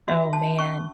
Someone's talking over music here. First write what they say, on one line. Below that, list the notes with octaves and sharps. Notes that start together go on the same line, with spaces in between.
Oh, man.
F#4 E5
D4 A5
C#4 C#6